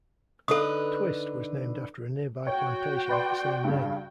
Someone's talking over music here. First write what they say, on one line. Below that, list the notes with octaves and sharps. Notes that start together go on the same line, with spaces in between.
Twist was named after a nearby plantation of the same name.
D3 D#4 A4 B4 D#6
F#4 C#5 G5
B4 D5 C6
G2 C#3